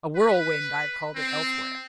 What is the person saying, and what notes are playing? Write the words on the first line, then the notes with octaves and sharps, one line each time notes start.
A whirlwind I have called it elsewhere.
B4
C4